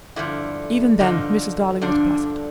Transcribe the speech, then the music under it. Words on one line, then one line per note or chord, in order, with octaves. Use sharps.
Even then Mrs. Darling was placid.
G2 D3 F3 E4
G2 D3 F3 D#4
G2 D3 F3 D4